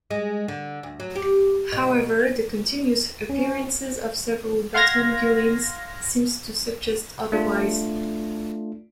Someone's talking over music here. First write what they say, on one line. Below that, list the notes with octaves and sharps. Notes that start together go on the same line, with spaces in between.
However, the continuous appearances of several Batman villains seems to suggest otherwise.
G#3
D3
D2
F#3
G4
B2
C#4
F5 F#5 C6 F6 G#6 A#6
A3 D4 F4